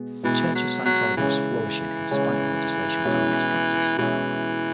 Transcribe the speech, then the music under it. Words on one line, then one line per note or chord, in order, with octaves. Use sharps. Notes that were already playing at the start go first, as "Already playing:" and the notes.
The Church of Scientology was flourishing in spite of the legislation banning its practice.
Already playing: B2 G#3 B3
B2 E3 G#3 B3
F#3
F#3
C#3 E3 G#3 C#4
C#3 G#3 C#4
B2 G#3 C#4 E4
B2 E3 G#3 C#4 E4